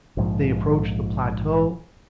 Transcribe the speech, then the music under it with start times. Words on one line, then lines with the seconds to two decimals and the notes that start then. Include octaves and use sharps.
They approached the plateau.
0.17 A#1 G#2 F3